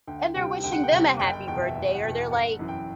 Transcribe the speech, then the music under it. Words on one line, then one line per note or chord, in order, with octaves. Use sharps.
and they're wishing them a happy birthday, or they're, like,
D2 G5
C3 G3 G5
D2 G5
F#5
G5
C3 G3
F#1 G5
G5
E2 B2 G5
E5
F#1 E5
F#5
E2 B2 G5
G1 F#5
F#2 E3
G5